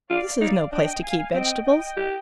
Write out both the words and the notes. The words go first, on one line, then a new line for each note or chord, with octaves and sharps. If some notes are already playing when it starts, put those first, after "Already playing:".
This is no place to keep vegetables.
F4 D5 F5
D#4 D5 F5
D4 D#5 G5
F5 G#5
C4 D#5 G5
D#5 G5
G4